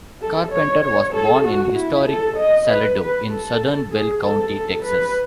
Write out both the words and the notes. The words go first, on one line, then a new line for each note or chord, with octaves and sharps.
Carpenter was born in historic Salado in southern Bell County, Texas.
A4
C#5
C#5
A4
F#4
E4
A4
D#5
B4
B4
A4
G#4
A4
A4
B4